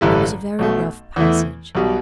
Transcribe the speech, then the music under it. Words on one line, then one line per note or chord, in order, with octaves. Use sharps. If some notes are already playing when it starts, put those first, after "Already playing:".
It was a very rough passage.
A1 G2 D3 G3 E4
B1 B2 A3
E2 E3 A3 E4
B1 B2 G3